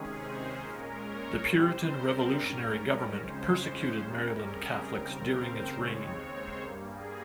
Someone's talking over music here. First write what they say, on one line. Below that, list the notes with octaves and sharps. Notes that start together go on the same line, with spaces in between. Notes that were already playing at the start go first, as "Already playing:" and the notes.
The Puritan revolutionary government persecuted Maryland Catholics during its reign.
Already playing: C3 D#3 G#3 C#4 G#4
C5
A#2 G#3 C#4 A#4
C#5
C3 G3 C4 C5
A#4
G#2 G3 C#4
F2 C#3 G#3 C#4 C5
C3 G3 C#4 A#4
G#4
D#2 C#3 G3 C4 A#4
C5
D#2 C#3 G#3 C4 C#5
C#5
C5
G2 G3 A#3
G#4